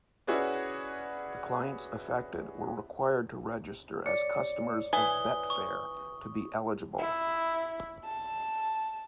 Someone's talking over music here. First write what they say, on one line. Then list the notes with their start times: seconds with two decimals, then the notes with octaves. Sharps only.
The clients affected were required to register as customers of Betfair to be eligible.
0.27 C#4 E4 F#4 G#4 B4 D5
4.06 C#5 D5 C#7
4.93 E3 G#5 D#6 G7
5.50 C#6
6.98 E4
8.04 A5